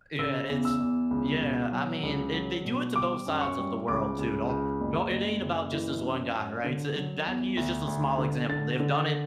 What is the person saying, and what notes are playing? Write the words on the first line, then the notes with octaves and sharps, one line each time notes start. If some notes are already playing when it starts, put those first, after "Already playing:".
Y yeah, it's yeah, I mean, it they do it to both sides of the world, too. Don't don't it ain't about just this one guy, right? So, that he is just a small example, they've done it
C#3 E6
E2
E6
E2
C#2
B2
F#3
C#2
F#3
B2
G3 D6
F#2
C#6
G3
C#2 D6
C#2
C#2
F#1
F#1
F#1
E3
F#2
F#2
D3
F#3
E2
D2
D2
D3
D3 A6
D3